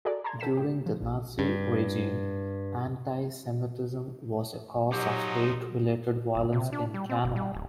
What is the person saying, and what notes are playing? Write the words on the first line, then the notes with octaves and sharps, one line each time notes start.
During the Nazi regime, anti-Semitism was a cause of hate related violence in Canada.
F#4 G#4 A4 D5 A#5
A5 A#5 C6 G#6
C#3 A4 G5 B6 E7
A2 G4
F3
A#1
G2
A#2 F3 F#3 C#4 D#4 G4
G1
C3
D4
G3
C4
F#1
G3
D1